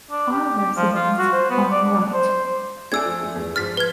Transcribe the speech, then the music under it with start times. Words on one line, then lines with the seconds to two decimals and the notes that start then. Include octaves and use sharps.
All residents are white.
0.11 D4
0.31 G4
0.58 G4
0.76 F3
0.95 F4
1.19 F#4
1.32 C5
1.50 B3
1.71 D5
1.86 D4
2.14 C5
2.92 A3 D4 A4 G#5 E6 G#6
3.06 F3
3.23 A3
3.36 E2
3.56 G#2 F3 F6 A6 B6
3.77 B4 G#6